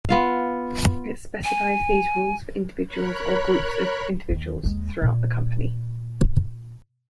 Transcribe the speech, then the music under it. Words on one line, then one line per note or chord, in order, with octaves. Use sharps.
It specifies these rules for individuals or groups of individuals throughout the company.
B3 F4 F5
G#5
A#4 C#5 B5 F#6
D#2 D#3
D#2 G#3
A#2